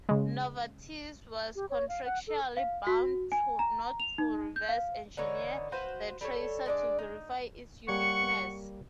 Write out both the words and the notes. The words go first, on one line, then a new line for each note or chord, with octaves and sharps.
Novartis was contractually bound not to reverse-engineer the tracer to verify its uniqueness.
C#3 G#3
G4
C#5
F5
F#5
A4
F5
F#4
G#5
A#5
F7
D#4
G6
F5
D3 E3 D#4 C#5
F#4 B4 C5 F5
G3 A4 C#5
G#3 D4 D5
D#4
G3 A#3 C#5 F#5 C#6